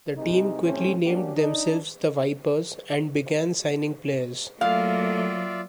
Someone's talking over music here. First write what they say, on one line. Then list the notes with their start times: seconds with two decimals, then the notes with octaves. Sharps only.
The team quickly named themselves the Vipers, and began signing players.
0.17 C2 C3 G#3 D#4
0.63 A2 C3 A3 C4 C#4 C5
1.05 F#3 A#3 C#4 D4 F#4 G4
1.36 D4 D#4
4.61 F#3 A3 A#3 F4 D5 E5 F5